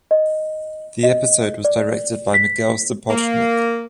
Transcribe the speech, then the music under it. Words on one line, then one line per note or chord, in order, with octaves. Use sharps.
The episode was directed by Miguel Sapochnik.
D#5
D#5
D5
B6
A#3